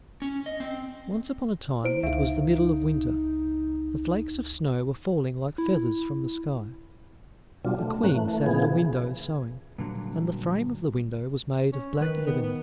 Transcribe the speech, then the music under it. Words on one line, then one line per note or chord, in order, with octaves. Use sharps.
Once upon a time it was the middle of winter; the flakes of snow were falling like feathers from the sky; a Queen sat at a window sewing, and the frame of the window was made of black ebony.
C#4
D#5
C4
A#3 E4 C5 D7
C#2 D#4 E5 F5
E4
B2 F#3 G3 D4 F4
A3
A2 A#3 C#4 F#6
E3 A3
A#2 C#3 E3 F3 B3 G#4
G2 A#2 D3 F#3
C#4
D#3 B4
B3
B3